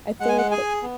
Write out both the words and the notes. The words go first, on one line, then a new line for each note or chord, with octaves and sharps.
I feel like the
G#3 F#5
G#5
F#5
G#4 G#5
B3